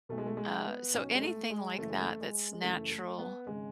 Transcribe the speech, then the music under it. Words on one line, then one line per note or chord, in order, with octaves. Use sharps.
uh, so anything like that that's natural
B1 B2 A3
G#3
A3
G#3
B3
B1 B2 C#4
G#3
A3
G#3
F#1 F#2 E3 A3
G#3
A3
G#3
G#3
F#1 F#2 E3 A3
A3
B3
G#1 C#3 G#3